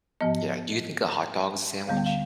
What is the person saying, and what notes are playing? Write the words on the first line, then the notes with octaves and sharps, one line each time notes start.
Yeah, do you think a hot dog is a sandwich?
G#2 F3 B3 D#5
D2 D3 G3 B3 F5
G5
F5